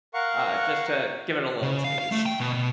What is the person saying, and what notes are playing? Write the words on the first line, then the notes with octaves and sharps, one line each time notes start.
uh, just to give it a little taste.
A#4 F5 F#5 C#6
C#3
F5
F5
A3
G5
B2
B2